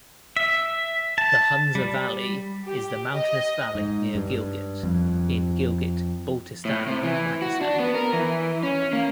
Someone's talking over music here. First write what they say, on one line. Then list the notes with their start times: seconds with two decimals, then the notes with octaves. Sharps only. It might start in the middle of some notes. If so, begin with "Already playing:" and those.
The Hunza Valley is the mountainous valley near Gilgit in Gilgit-Baltistan, Pakistan.
0.37 E5
1.18 A5
1.75 G3
2.66 G4
3.14 D#5
3.75 G#2
4.15 G2
4.83 F2
6.65 A2
6.87 C3
7.04 E3
7.42 F#4
7.61 D4
7.80 B3
7.95 A#4
8.13 E3
8.63 C#4
8.93 A#3